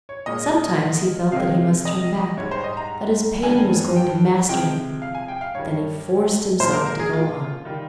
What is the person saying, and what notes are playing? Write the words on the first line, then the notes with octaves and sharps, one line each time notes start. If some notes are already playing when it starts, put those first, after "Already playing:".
Sometimes he felt that he must turn back--that his pain was going to master him; then he forced himself to go on.
C#5
A#2 G#3 D#5
C3 D#3 G#3 F5
D#5
G#2 G3 C#5
C5
D#5
A#5
G2 D#3 G3 G#5
G5
C3 F3 G#3 G5
F5
G#5
G5
F5
G2 D#3 G3 C#5
A#2 F3 G#3 C5
A#4
A#4
G#4
F4
D#3 G3